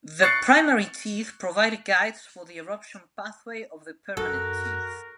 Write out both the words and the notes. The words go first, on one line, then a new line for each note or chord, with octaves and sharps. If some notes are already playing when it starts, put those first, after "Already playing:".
The primary teeth provide guides for the eruption pathway of the permanent teeth.
C#6 F#6 A6 C7 C#7
F#2 F#4 A4 A#4